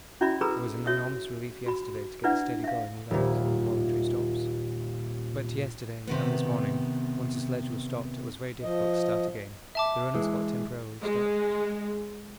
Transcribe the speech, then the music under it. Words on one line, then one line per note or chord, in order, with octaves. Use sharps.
It was an enormous relief yesterday to get steady going without involuntary stops, but yesterday and this morning, once the sledge was stopped, it was very difficult to start again--the runners got temporarily stuck.
C#4 E4 F#4 D5 E5 B5
G#4 A4 B4 A#5 B5 E6
F#4 C#5 E5 D#6
F#4 B5
D4 E4 B4 D5 E5 F#5
E5 F5
D#1 A#2
C3 D#3 B3
F3 D#5
E5 A5 D6
E3 G#3
G#3